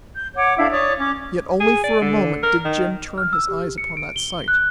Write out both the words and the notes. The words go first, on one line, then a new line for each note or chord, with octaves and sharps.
Yet only for a moment did Jim turn his eyes upon that sight.
G6
C#5 F#5 D6
D4 E4 A4 F5
C#5 D5 D6 D#6
C#4 D6
G#4
D5
D3
A#4
D#3
F6
E6
G4
C#7
D7
G7
F#6